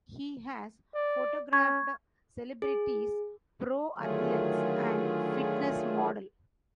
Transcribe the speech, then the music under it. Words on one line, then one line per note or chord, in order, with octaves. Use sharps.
He has photographed celebrities, pro athletes and fitness model.
D5
C#4 C#6 G#6
G#4
D3 D#3 F#3 A3 F4 G#4